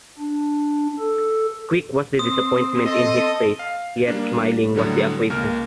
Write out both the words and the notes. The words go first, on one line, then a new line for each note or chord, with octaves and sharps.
Quick was the disappointment in his face, yet smiling was the acquiescence.
D4
A4
C4 D#6
A4 D#5
F5
G3 A#3 D4
A2 D3 F#3 G3
C#2 A#3 A#4 F6